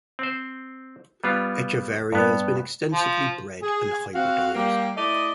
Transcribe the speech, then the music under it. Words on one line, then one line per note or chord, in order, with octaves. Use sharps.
"Echeveria" has been extensively bred and hybridised.
C4 C5
G3 B3 F4
G2 B3
F3
G#4
C4 F#4 F5
G3 A#3 G4
A3 E4 D5 D#5